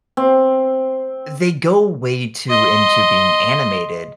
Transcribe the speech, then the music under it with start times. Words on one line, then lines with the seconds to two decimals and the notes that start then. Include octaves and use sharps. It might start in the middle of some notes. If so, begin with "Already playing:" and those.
they go way too into being animated,
0.17 C4
2.50 D#5 C6